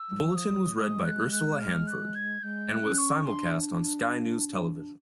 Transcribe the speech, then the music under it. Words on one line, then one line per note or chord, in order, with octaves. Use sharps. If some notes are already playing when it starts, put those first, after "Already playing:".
The bulletin was read by Ursula Hansford, and was simulcast on Sky News television.
Already playing: E6
F#3
F3
D#6
F#3
G#3 D#6
F#6
F#6
F6
F#6
G#6
G#3 G6
F#6
C#4
C#6
D4 C6